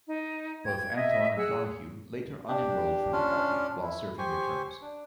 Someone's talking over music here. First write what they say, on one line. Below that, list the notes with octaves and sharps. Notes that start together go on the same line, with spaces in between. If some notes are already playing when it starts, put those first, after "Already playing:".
Both Anton and Donoghue later unenrolled from the party while serving their terms.
D#4
G5 G#6
D#5 E5
G#4 F#5 E6 F#6
D4 G4
C#4 D4 F4
E4
G4 C5 G#5 C#6
D4